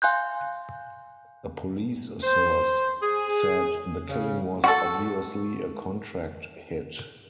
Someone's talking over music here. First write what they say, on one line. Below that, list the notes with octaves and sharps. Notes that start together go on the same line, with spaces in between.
A police source said the killing was "obviously a contract hit."
F5 G#5 C6 F#6 G6
C5
G#4
C#3
F#4 A4